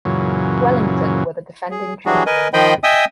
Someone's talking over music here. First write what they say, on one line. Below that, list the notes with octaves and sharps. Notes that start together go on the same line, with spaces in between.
Wellington were the defending champions.
F#2 A#2 C#3 E3 F#3
G#4
E3 F#3 G3 D4 F#4 G#4
A#4 B4 D#5 G#5
D#3 F3 C5 D#5 G5 B5
D#5 E5 G5 G#5 D#6 E6